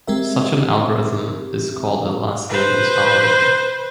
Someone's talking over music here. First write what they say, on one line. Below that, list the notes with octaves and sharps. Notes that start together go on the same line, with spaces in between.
Such an algorithm is called a Las Vegas algorithm.
G#3 C4 G4 A#4 E5
B4 C5